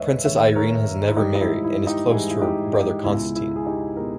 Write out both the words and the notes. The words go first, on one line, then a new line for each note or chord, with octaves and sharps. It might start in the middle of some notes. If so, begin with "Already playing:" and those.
Princess Irene has never married and is close to her brother, Constantine.
Already playing: D#2 D#3 G#3 B4 C#5 D#5 E5
D#2 D#3 G#3 C#5 E5
A#4 C#5
E4
G#2 E3 G3 D#4 G4
D#4
E4
E4
D#4 G4
G#2 E3 G3 E4 G#4
E4
D#4 G4
D#4 G4
C#2 B2 G#3 E4
E4
G#4
D#4 G4
B2 G#3 G4 A#4